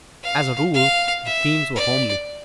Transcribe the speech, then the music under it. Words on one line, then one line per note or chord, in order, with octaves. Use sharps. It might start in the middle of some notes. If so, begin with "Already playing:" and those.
As a rule the themes were homely.
F5
F5
E5
D5